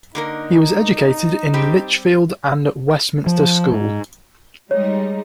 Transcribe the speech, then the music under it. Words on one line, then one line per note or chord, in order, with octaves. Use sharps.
He was educated in Lichfield and at Westminster School.
D3 A#3 D#4 A#4
G3 C4 G4
F3
G#2
G3 G#3 D#4 C#5